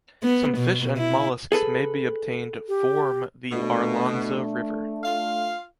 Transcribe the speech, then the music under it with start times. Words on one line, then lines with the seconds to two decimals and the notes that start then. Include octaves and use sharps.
Some fish and mollusks may be obtained form the Arlanza river.
0.23 B3
0.57 B2
0.97 E4
1.52 G#4 A4 B4
2.68 G4
3.51 B2 A3 D4
5.04 F4 F5